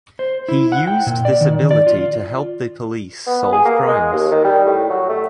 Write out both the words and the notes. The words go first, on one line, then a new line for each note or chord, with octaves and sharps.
He used this ability to help the police solve crimes.
C5
E4
F#5
G5
A#2
D5
D#3
D5
F4
B3
G#4
A#3
G#3
D#2
D#3
G3
A2
F#3
A3